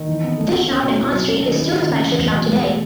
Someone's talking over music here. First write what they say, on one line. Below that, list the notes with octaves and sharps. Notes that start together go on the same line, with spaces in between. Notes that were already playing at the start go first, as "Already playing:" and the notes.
This shop in Pont Street is still the flagship shop today.
Already playing: D#3
E3
B3
A4
B3
C#4
B2
E4
F#3
C#4
D#3
E4
D#3
C#3
E3
E2
B2
G#4
A3